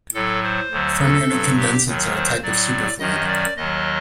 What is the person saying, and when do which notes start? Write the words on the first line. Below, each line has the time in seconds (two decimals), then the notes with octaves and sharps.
Fermionic condensates are a type of superfluid.
0.14 A2 F#3 A4
0.44 C5
0.71 D2 D3 F#3
1.00 A4
1.28 G2 F#3
1.57 G4
1.86 D#2 D#3 F#3
2.14 C5
2.42 A2 F#3 D5
2.99 F#2 D#3 F#3 D#5
3.28 D5
3.56 D#2 D#3 F#3 D#5